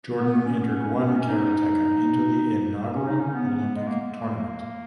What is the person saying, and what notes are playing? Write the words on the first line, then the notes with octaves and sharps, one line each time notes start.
Jordan entered one karateka into the inaugural Olympic tournament.
B3
C#4
C#4
C#4
B3
C#4
D#4
C#4
D#4
C#4
B3
G#3
A#3
G#3
A#3